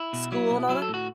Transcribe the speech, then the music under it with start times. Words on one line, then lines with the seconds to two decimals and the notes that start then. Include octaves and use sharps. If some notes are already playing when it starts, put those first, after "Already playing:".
school and all that
Already playing: E4
0.13 B2
0.32 F#3 E4
0.50 B2
0.69 F#3 E4
0.82 A4
0.88 A2
0.94 F#4